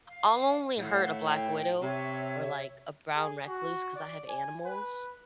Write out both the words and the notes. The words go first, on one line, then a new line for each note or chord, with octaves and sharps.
I'll only hurt a black widow or, like, a brown recluse 'cause I have animals,
F5
A2 F5 F#5
G5
C3 C#5 E5
G#4
F#4
D5
G#5
B4